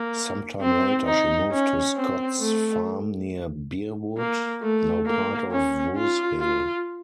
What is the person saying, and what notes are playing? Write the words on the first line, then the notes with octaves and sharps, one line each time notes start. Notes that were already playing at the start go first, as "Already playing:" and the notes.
Some time later she moved to Scott's Farm near Bearwood, now part of Woosehill.
Already playing: A#3
C4
D#4
C#4
C4
A3
A#3
A3
A#3
C#4
F4
F4